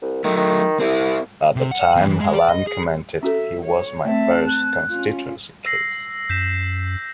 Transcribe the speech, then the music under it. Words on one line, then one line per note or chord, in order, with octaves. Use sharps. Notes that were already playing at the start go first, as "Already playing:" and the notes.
At the time Hallam commented He was my first constituency case.
C2
D#3 F#3 A3
D#3
C2 C4 E4
C3
F#5
E2
E3
G#3
D5
D#5
G#4
C#4 F#4 A4 E5
C#5
A3 C4 E5 A5
F#6
C#4 F4
E6 A#6 C7
F#2 G6 B6 E7